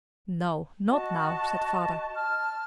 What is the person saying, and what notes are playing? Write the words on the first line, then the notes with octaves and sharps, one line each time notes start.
"No, not now," said Father.
F#4 D#5 A5
A5 F6